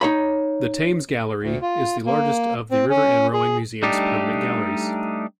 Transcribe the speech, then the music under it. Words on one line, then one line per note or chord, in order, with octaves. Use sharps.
The Thames Gallery is the largest of the River and Rowing Museum's permanent galleries.
D#4 C#5 B5
D2
F4
A#3
C4
C#4
G#4
G3 A3 D4 D#4 G4